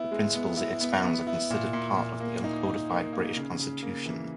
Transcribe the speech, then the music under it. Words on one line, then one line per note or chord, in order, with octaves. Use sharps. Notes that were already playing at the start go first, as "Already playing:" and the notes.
The principles it expounds are considered part of the uncodified British constitution.
Already playing: B3 E4
G#3
B3
E4
B3
B3
E4
A#2
A#2
A#2
A#3
D#4
D#4
A#3
A#3
C#3
C#3
A#3
E3